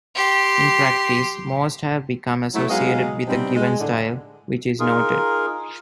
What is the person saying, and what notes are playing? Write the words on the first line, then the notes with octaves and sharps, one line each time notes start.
In practice, most have become associated with a given style, which is noted.
G4 C6
F#3 A3 E4
F#3 G#3 B3 D#4 D#5 F5
C3 G3 B3 C4 D4 D#4
G#3
A2 D3
D#4 F4 G#4 A#4